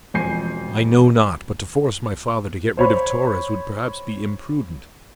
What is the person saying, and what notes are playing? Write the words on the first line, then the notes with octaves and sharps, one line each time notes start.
I know not--but to force my father to get rid of Torres would perhaps be imprudent!
E1 F2 G#5 G6 C7
C5 C#5 B5